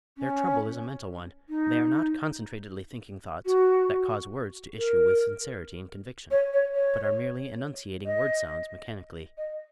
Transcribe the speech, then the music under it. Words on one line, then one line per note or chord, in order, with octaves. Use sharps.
Their trouble is a mental one--they are not concentratedly thinking thoughts that cause words to issue with sincerity and conviction, but are merely enunciating word-sounds mechanically.
C#4
D#4
F#4
A#4
C#5
C#5
C#5
D#5
D#5